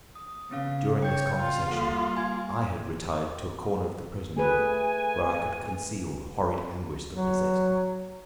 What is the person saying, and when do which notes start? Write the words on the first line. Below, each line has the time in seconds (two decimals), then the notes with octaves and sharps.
During this conversation I had retired to a corner of the prison room, where I could conceal the horrid anguish that possessed me.
0.15 D#6
0.51 C#3 B3 C#4 F5
1.02 C#5 G5 G6
1.37 F4
1.68 G3 A#3 A4 F#5
2.17 G#5 C6 G#6
4.36 A3 G#4 B4 G#5
7.15 F#3